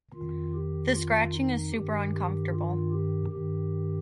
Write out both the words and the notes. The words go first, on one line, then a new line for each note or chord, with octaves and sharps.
The scratching is super uncomfortable.
F2 D#3 F4
G4
F4
D#4
G2 D#3 G4
G4
F4
G4
G2 D#3 G4